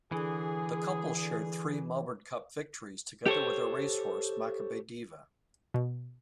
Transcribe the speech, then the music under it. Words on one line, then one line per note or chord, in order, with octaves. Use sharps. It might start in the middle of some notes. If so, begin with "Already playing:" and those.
The couple shared three Melbourne Cup victories together with their racehorse, Makybe Diva.
D3 E3 G#4
G4 A4 C5 C#5
B2